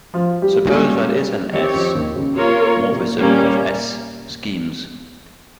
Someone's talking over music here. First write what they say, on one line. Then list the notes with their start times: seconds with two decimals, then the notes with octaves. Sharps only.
Suppose that is an "S"-morphism of "S"-schemes.
0.14 F3 F4
0.42 G3 G4
0.69 G3 G#3 A#3 C#4 G#4
1.11 G3 G4
1.53 D#3 C4 D#4 G4 C#5
1.74 F2 F3
1.95 D#2 D#3
2.15 C#2 C#3
2.36 C3 A#3 F4 A#4 C#5
2.79 A#2
2.91 C3
3.02 A#2
3.20 A#2 G3 A#3 C#4